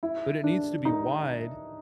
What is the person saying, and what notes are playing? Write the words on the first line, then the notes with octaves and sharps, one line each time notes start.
but it needs to be wide
E4
D4
D#4